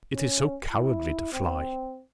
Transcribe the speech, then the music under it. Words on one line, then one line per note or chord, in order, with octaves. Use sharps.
"It is so cowardly to fly!"
C#4
E4
C4